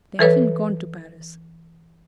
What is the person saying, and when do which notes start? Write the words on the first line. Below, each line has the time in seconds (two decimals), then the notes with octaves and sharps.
They haven't gone to Paris.
0.19 E3 A4 B4 C#5